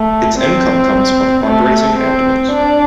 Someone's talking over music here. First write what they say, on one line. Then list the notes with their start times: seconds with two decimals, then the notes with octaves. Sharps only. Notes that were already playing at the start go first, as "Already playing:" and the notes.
Its income comes from fundraising and events.
Already playing: A3
0.39 C4
1.45 A3
1.98 C4
2.52 D4